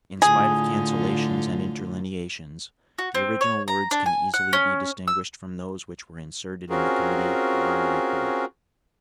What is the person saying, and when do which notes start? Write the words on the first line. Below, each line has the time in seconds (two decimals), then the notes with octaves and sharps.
In spite of cancellations and interlineations, the original words can easily be distinguished from those which were inserted in the committee or on the report.
0.22 A2 D3 F4 G#4
2.99 F#4
3.15 C4
3.41 C#5
3.68 A#5
3.91 D4
4.06 G#5
4.34 F#5
4.53 C#4
5.08 E6
6.70 C4 C#4 F4 F#4 G#4 A#4